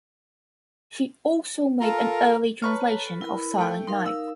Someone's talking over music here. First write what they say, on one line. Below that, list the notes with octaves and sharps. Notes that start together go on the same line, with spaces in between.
She also made an early translation of Silent Night.
F4 A4 A#4
B4 C#5 A5 A#5 C#6 F6
A4
E4 A#4 B5
A3 G5
D#4 A#4 F5 C6
E6